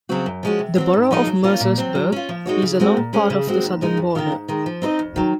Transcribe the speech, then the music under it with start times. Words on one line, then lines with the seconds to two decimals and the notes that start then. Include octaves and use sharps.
The borough of Mercersburg is along part of the southern border.
0.09 C#3 F#3 C4 F#4
0.26 F#2
0.43 F3 G#3 C#4 F#4
0.59 C3
0.76 F#3 C4 F#4
0.94 G#2
1.11 F3 G#3 D#4 A#4
1.27 F#3
1.44 A#3 C#4 F4
1.61 A#2
1.78 F#3 C4
1.95 F#3
2.12 C#4 F4
2.29 F3
2.46 G#3 D#4 F#4 C#5
2.62 C#3
2.80 G#3 C4 F#4
2.97 A#2
3.13 G#3 C#4 G#4 C5
3.30 C#3
3.47 G#3 C4 F#4
3.63 D#2
3.81 C#3 G#3 D#4 A#4
3.97 F2
4.15 D#3 A#3 F4 A#4
4.32 G#2
4.49 D#3 G#3
4.66 F3
4.82 C4 D#4 A#4 D#5
4.99 F2
5.16 D#3 F#3